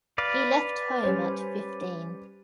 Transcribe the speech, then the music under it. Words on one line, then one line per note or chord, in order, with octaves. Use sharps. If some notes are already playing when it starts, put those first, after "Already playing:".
He left home at fifteen.
B4 D5 F5
G3 C#4 C5